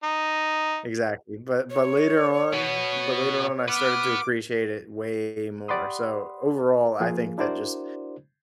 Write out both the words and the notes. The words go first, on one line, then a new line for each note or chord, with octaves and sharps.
Exactly, but but later on but later on, I started to appreciate it way more, so, overall, I think that just
D#4
C#5
B2 B3
B4 F#5 D6 F6
G4 D5 F#5 B5 C6 D#6
F3 A#3 F4 G#4
D4 E4 F#4 A#4 C5 D5